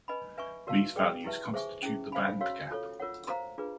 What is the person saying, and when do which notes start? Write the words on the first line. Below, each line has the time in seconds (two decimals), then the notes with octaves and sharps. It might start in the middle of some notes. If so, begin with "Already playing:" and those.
These values constitute the band gap.
0.08 B4 D#5 G#5 B5
0.38 B4 E5 G#5 C#6
0.67 F#4 A#4 D5 F5 A5
0.96 G#4 B4 D5 G5
1.24 E4 G4 B4 E5 A5
1.54 G#4 C5 E5 G#5 C#6
1.83 C#4 E4 G#4
2.12 C5 F5 G#5 B5
2.41 F#4 A#4 C#5 F5
2.71 F4 A4 C#5
3.00 F4 A#4 C#5 F#5
3.29 C5 F5 A#5
3.58 D4 F4 G#4 B4